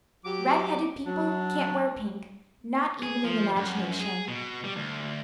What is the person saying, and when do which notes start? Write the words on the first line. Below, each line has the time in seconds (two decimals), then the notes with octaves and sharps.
Redheaded people can't wear pink, not even in imagination.
0.25 F#3 G4 D6
1.06 F#3 D4
3.03 G#4
3.24 F3
3.56 F#2
4.00 G#4
4.28 B2
4.64 G3
4.76 D2